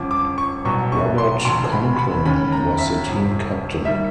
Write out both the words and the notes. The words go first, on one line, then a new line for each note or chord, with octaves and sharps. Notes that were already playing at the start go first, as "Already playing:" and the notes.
Robert Conklin was the team captain.
Already playing: G1 F2 C#3 F3 D6
D6
C#6
C2 B2 F#3 C#6
C#6
C6
E1 D2 C3 F3 C6
B5
B5
D#2 D#3 G#3 C#4 B5
A#5
E5
G1 F2 C3
D#3 G3 A#3 E5